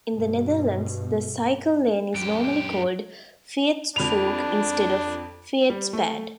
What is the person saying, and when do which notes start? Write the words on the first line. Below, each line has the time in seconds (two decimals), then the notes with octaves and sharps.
In the Netherlands the cycle lane is normally called "fietsstrook" instead of "fietspad".
0.12 G2 B2
2.14 F#2 G4
3.96 F2 D4 B5 F7
5.70 G3
5.93 A3